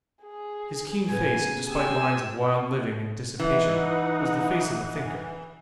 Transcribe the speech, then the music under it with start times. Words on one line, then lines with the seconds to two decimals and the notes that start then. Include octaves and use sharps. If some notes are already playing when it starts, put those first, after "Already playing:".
His keen face, despite lines of wild living and dissipation, was the face of a thinker.
0.23 G#4
1.08 A2 C#3 B3 G#5
1.68 G4 G#4 G#5 E6
3.40 E3 D#4 F#5